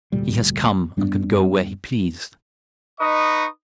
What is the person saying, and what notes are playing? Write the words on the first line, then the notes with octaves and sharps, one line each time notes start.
He has come and can go when he please.
F1 D2 A#2 G3
F#2 G3 B3 D4
D#4 B4 D#5 C#6 D#6